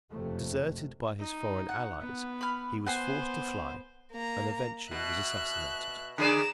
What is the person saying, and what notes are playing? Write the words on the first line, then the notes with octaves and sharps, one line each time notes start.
Deserted by his foreign allies, he was forced to fly, and eventually was assassinated.
F#1 F2 C3 A3
D#4
F#5
B3
B5 F6
B3 C5 F#5 G#5 C6
A#3 A#5
B2 E5 F#6
D3 G#4 D5 A#5 E7